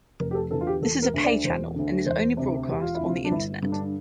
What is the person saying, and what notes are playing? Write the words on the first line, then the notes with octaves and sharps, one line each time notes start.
This is a pay channel, and is only broadcast on the Internet.
F1 A#4
G4
A4
E2 D3 A4
F4
G4
E1 A4
A#4
D2 D3
D5
E1 C5
D2 D3
E1 C5
D2 C3
E1 G4
F4
E4
D2 C3
F4
D4
G1 E4
G2 D3
D4